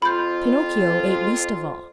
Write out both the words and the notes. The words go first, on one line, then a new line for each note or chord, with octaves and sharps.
Pinocchio ate least of all.
F2 F4 B5 G6